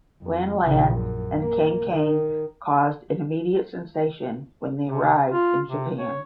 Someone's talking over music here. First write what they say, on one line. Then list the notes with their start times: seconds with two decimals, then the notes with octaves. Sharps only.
Lan Lan and Kang Kang caused an immediate sensation when they arrived in Japan.
0.21 F2
0.65 A#1 C#3
0.96 F#2
1.38 A#3
1.92 D#3
4.84 C3
5.32 F4
5.68 C3
5.98 C#5